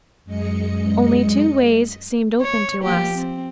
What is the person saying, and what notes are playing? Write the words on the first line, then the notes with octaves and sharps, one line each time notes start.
Only two ways seemed open to us.
F#2 G#3 D#5 C#7
C#5
F3 A#3 G4
C4